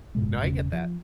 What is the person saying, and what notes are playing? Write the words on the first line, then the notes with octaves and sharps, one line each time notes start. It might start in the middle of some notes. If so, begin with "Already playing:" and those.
No I get that.
F#1 G#2 B2 G#3
E1 C#3
F3